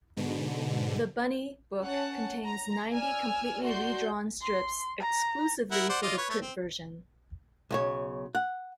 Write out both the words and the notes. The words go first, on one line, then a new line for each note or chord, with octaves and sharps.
The "Bunny" book contains ninety completely redrawn strips exclusively for the print version.
G#2 B2 D3
C#4 F#5 A5
A#5
D5 G#5 E6 F6
A3 F#4 D5 C6 G6
C6
A#5
E4 A#4 F#5
C5 D5 F#5
F4 D5 D#5
B4 C#5
A3 C#5
C4
B1 C#3 C#5
F#5